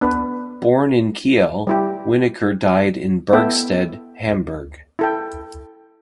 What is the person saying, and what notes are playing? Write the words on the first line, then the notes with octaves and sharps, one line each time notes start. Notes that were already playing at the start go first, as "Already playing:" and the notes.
Born in Kiel, Wenneker died in Bergstedt, Hamburg.
B3 D4 B4
G3 E4 G4
B3 E4 A4 E5 G5
E4 A4 G5